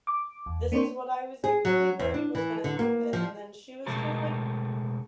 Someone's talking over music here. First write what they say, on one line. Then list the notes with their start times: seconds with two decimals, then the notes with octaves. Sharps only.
this is what I was, like, really worried was gonna happen." And then she was kinda, like,
0.07 D6
0.46 E2
0.72 A#3 C4 D4 C5 C#5
1.44 G#4
1.65 F#3
1.99 E2
2.14 D4
2.35 E3
2.64 D3
2.79 A#3
3.13 F3
3.86 B2 G#3 A3 A4 A#4